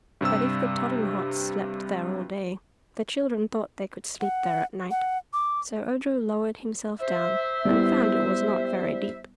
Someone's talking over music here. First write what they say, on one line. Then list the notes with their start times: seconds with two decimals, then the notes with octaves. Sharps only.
But if the Tottenhots slept there all day the children thought they could sleep there at night, so Ojo lowered himself down and found it was not very deep.
0.21 G2 C3 G3 E6
4.21 F#5
4.91 F#5
5.33 D6
7.00 C5 E5
7.65 G3 B3 E4